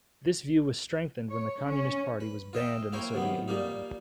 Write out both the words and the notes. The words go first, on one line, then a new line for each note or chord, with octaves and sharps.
This view was strengthened when the Communist Party was banned in the Soviet Union.
C#5
C#4
B4
F4 D#5 E5 G5
A#3 E4 A#4 C5 C#5 G5
F#2 C3 D#3 B3
A#2 G3 A#3 D#4